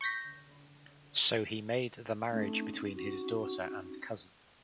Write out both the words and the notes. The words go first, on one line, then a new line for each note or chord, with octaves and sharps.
So he made the marriage between his daughter and cousin.
C#6 G6 A#6 B6
A3 C4 C#4 D#4
F#4